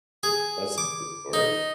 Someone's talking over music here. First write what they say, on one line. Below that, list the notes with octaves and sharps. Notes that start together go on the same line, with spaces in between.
That's another story.
G#4
D6
D#4